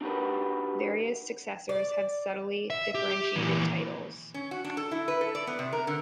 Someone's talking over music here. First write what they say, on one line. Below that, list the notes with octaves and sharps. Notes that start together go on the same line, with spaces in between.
Various successors have subtly differentiated titles.
D4 D#4 F#4 G4 A#4 B4
D5
E5
G4
A#2 E3
C#4
F#4
D4
A4
E4
B4
A4
D5
B3
C3
A#4
D3